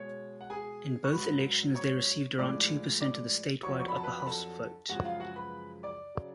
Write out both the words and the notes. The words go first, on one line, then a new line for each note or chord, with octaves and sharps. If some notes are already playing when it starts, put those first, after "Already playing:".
In both elections they received around two percent of the statewide upper house vote.
Already playing: B2 G#3 C#5
F#5
G#4 G#5
C#6
G#2 F#3 B4 B5
C#5 C#6
A2 F3 G#3 D5 D6
D5 D6
F2 D3 F#3 C#5 C#6
C#6
B5
A5
B4 B5
B5
A4 A5
F#2 C#3 F3 G#3 F#4 F#5
F4 F5
F#4 F#5
B4 B5
D5 D6
C#3 F#3